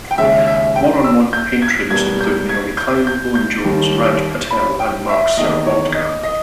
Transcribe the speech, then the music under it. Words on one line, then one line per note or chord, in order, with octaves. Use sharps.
War on Want patrons include Naomi Klein, Owen Jones, Raj Patel and Mark Serwotka.
G5
D#2 C#3 G#3 E5
E5
G5
E6
G6
G#6
E2 B2 G3 A#3 G#6
G6
G#6
G6
G6
G6
D#2 D#3 G3
B5
G5
E5
E2 D#3 A#3 D#5
C#5
D#5
D#5